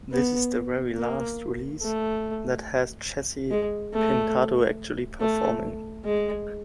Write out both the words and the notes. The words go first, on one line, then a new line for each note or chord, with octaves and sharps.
This is the very last release that has Jesse Pintado actually performing.
B3
A#3
A3
G#3
A3
A3
G#3